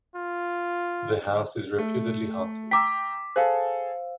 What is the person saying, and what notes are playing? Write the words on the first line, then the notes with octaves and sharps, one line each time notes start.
The house is reputedly haunted.
F4
A3
G5 A#5 D6 E6 B6
G#4 A4 C5 F5